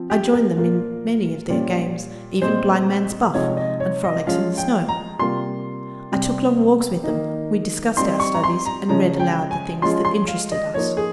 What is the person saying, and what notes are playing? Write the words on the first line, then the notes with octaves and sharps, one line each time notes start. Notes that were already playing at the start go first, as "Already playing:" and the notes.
I joined them in many of their games, even blind man's buff and frolics in the snow; I took long walks with them; we discussed our studies and read aloud the things that interested us.
Already playing: F3 C4 F4
G4
A#4
A#2 F3 A#3 F4
A#2 G3 C#4 F4
A#2 G#3 C4 C5
C3 F3 G#3 D#4 C#5
D#5
C#5
D#5
F3 G#3 C#4 F4 F5
G5
A#5
C3 G3 A#3 F4 C6
C3 G3 C4
D#3 A#3 D#4
G3 C4 D#4 C6
C#6
A#5
C6
A#5
C#3 F3 G#3 C#4 A#5
G5
G#5
F3 G#3 C#4 F4 C6
C6
F5
D#5
F3 A#3 D#4 C#5
G#4